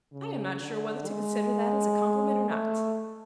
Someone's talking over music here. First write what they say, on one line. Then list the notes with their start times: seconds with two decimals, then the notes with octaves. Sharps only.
'I am not sure whether to consider that as a compliment or not.
0.12 C#3
0.60 D3
1.07 G#3
2.49 A3